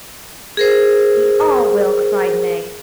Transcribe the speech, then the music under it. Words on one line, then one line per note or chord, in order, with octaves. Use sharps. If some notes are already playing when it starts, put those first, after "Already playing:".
"We all will," cried Meg.
G#4 A#4 C5